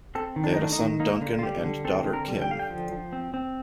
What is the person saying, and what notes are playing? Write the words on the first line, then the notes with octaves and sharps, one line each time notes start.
They had a son Duncan and daughter Kim.
C4 A4
D#3
D4
D#4
A3 D4
D#4
D#3
A#3 D#4
D3
F4
G3 G4
D3
C4 A4
D3
A#4
G3
G5
D3 F5
G5
F3
F3
C4
C4